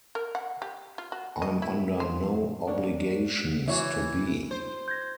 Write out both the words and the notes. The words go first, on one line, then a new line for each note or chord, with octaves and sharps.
I'm under no obligations to be.
A#4
F#5
G4
F4
F#4
D#5
E4
C5
A#3 C#4 D4
E3 F#4 C#5 E5
C5
G6 G#6 A#6